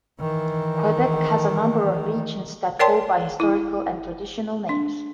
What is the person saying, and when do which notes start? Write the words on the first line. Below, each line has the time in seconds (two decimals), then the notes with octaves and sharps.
Quebec has a number of regions that go by historical and traditional names.
0.20 D#3 E3
2.79 A#4 C#5 D5 G5 A5 C6
3.40 E4
4.69 D4